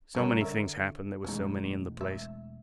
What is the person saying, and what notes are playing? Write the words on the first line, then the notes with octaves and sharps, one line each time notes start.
So many things happened--there were so many in the place.
C2 G2 C#4 A#4 C#5
D3 A#4 E5
E1 A2 G#3 C#4 D#4
E5